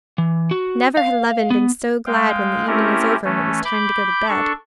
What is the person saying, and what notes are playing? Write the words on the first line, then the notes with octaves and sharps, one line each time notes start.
Never had Levin been so glad when the evening was over and it was time to go to bed.
E3
F#4
F5
B3
G#3 F5 G5
A3 C4 C#4 E4 G4 A#4
E3 A3 C#4
B5 D6 G6
D4 A4 C#6